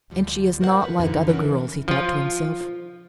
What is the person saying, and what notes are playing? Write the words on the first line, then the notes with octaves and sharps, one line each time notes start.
"And she is not like other girls," he thought to himself.
D2 F3 G3
F#4 A#4 C5 D#5 F#5
E3 B4
F#2 D3 F3 D#4 E4 F#4
C#3 E3 F#3 C#4 A#4 B4
F3 F4